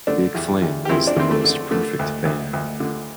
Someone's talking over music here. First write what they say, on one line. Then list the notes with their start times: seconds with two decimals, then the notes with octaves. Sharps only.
Big Flame was the most perfect band.
0.07 D3 A3 D4
0.35 E2
0.62 E2
0.85 G4
0.89 E2 C4 E4
1.07 D4
1.16 E2 C4
1.31 A3
1.44 D3
1.71 D3 A3
1.99 D2
2.25 D2
2.53 D2
2.80 D3